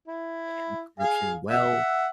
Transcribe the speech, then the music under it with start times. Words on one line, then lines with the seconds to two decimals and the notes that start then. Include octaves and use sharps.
handled corruption well?
0.08 E4
0.99 G#4 F5
1.49 E5 F#5